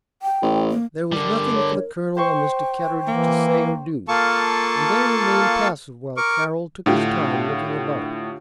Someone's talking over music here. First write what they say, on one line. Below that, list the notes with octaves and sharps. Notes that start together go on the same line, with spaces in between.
There was nothing for the colonel or Mr. Kettridge to say or do, and they remained passive while Carroll took his time looking about.
G5
A1
A#3
D3 G3 A#4 D6
C#5
C5 G5 C6 C#6
E3 A#3
A#3 F4 A4 A5 C#6
A#4 C#6 D6
A2 D3 F4 G4